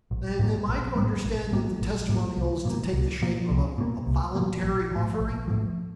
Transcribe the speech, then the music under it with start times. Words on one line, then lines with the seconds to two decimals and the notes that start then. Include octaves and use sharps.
"Am I to understand that the testimonial is to take the shape of a voluntary offering?"
0.11 A#1
0.39 A2 G3 A#3
0.68 A#1
0.96 A2 G3 A#3
1.24 A#1
1.52 A2 G3 A#3
1.81 A#1
2.09 A2 G3 A#3
2.37 C2
2.65 A#2 F3 A#3
2.93 C2
3.22 A#2 F3 A#3
3.50 C2
3.78 A#2 F3 A#3
4.07 C2
4.35 A#2 F3 A#3
4.63 A#1
4.91 A2 F3
5.20 A#1
5.47 A2 F3